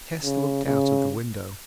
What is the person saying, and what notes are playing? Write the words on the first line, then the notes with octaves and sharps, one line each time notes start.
Tess looked out of the window.
C#3
C#3